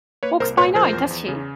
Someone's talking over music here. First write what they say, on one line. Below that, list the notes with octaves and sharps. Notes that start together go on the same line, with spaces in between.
Walks by night, does she?
A#3 B4 C#5
C2 A#4 C5
A#2 B4 C#5
F3 A#4 C5
E2
E2
C#3